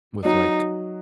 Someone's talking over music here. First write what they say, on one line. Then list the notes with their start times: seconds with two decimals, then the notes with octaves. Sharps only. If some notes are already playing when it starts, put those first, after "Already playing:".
with, like,
0.24 F#3 D#4